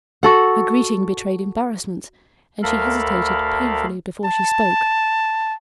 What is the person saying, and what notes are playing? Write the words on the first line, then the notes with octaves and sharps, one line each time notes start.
Her greeting betrayed embarrassment and she hesitated painfully before she spoke.
F#4 A4 F#5
D2 A4 A#4 F5 B5
A5